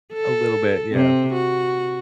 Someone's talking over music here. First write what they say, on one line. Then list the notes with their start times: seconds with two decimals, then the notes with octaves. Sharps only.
A little bit, yeah.
0.13 A4
0.92 C3 C4
1.33 F#4